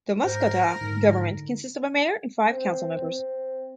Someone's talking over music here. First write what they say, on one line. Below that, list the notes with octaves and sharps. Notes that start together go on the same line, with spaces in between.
The Muscotah government consists of a mayor and five council members.
G#2 A#4 C5 G6
G#2 D3 D#4
C4
C4